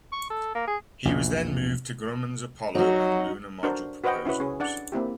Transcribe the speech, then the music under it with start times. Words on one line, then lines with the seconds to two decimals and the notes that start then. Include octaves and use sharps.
He was then moved to Grumman's Apollo and Lunar Module proposals.
0.12 C#6
0.30 A4
0.55 A#3
0.68 G#4
1.05 A#1 E2 B2
2.75 F#3 D#4 F#4
3.63 D4 F#4 A#4 C5
4.04 F#4 B4 C5 D#5 F#5 G5
4.26 C#4 E4 F#4 B4
4.40 C#4 G#4
4.60 D4 D5 F#5
4.92 A#3 C4 E4 G4